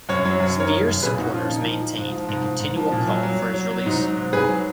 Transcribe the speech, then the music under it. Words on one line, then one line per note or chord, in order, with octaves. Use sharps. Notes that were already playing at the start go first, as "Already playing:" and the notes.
Speer's supporters maintained a continual call for his release.
F#2 C#5
F#3 C#5
F#2 C#5
D#3 A#4 C#5
F#2
F#2
A#2 G#4 B4
A#2 D#4 F#4
F3 C#4 F4
A#2 D#4
F3
F3
G#2
F3
G#2
G#2
G#2
F3
A#2
F#3
F#3
F#3
F#3
F#3
G#2 D#4
F#3
G#2
G#2 G#4 B4
F#3